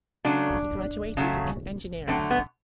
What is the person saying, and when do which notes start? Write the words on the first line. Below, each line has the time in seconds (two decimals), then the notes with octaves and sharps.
He graduated in engineering.
0.25 C#3 F#3 A3 D4
1.17 C#3 F#3 A3
2.07 D3 F#3 A3 C4
2.31 B3